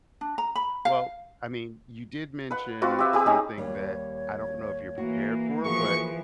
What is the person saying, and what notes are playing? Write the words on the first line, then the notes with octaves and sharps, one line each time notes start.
Well, I mean, you did mention something that I don't know if you're prepared for, but
D4
A#5
B5
F5
B4 F#5
C4 F4 F#4 B4
G4 E5
G4 G#4 B4
C#4 D#4 G#4
D#2 G3 C#5
E3 A#3 F#4
E3 F3 A#3 F#4 G#4 C#6